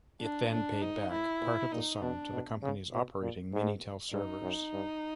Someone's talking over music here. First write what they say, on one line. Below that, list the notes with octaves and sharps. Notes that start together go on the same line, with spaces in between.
It then paid back part of the sum to the companies operating Minitel servers.
D4
A2 D4
G#2 D#4
A2 E4
A#2
A#2 D#4
B2 D4
B2
C#3
B2
A#2
G#2
G2 D#4
F#2
G2